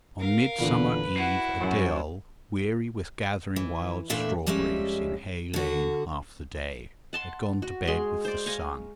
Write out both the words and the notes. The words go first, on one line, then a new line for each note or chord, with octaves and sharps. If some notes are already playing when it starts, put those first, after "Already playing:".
On Midsummer-eve, Adele, weary with gathering wild strawberries in Hay Lane half the day, had gone to bed with the sun.
A#4 F5
E2 A#2 D3 B4
E4 F#4 C7 D#7
F#2 F#3
E3
E2 A#2 A3 D4 E5
F2 G3 G#3 C#4 E5
D3 F#4
F#5 A5 C6
F#4
G#3 G#4 C6
C5 D5
F5 G#5 A#5 C#6